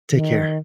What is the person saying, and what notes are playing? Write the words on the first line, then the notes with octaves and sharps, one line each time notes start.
Take care.
D#3